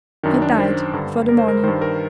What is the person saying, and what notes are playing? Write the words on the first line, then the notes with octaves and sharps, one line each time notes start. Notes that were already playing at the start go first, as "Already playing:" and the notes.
He died before the morning.
F#2 D#3 D4
D4
C5
G2 D3
A#4
C5
A#4
G2 D#3 C5
A#4